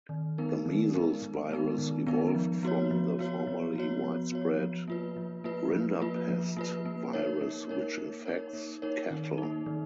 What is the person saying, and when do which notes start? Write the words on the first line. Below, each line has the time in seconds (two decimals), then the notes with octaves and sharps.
The measles virus evolved from the formerly widespread rinderpest virus, which infects cattle.
0.09 D#3
0.38 G#3 B3 D#4 A#4
0.65 D#3
0.94 G#3 B3 D#4 A#4
1.22 D#3
1.51 G#3 B3 D#4 A#4
1.78 D#3
2.07 G#3 B3 D#4 A#4
2.35 F3
2.63 B3 F#4 C#5
2.91 F3
3.19 B3 F#4 C#5
3.47 F3
3.75 B3 F#4 C#5
4.04 F3
4.32 B3 F#4 C#5
4.60 F3
4.88 A#3 F4 B4
5.16 F3
5.44 A#3 F4 B4
5.72 F3
6.00 A#3 F4 B4
6.29 F3
6.57 A#3 F4 B4
6.85 A#3
7.13 D#4 A#4 C#5
7.41 A#3
7.69 D#4 A#4 C#5
7.98 A#3
8.25 D#4 A#4 C#5
8.53 A#3
8.82 D#4 A#4 C#5
9.11 D#3
9.38 D#4
9.43 A#3
9.66 D#3